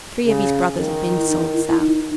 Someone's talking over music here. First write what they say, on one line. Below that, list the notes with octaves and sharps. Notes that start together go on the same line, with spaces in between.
Three of his brothers had been sold South.
C#3
D#3
E4
D#4
E4
E4
D#4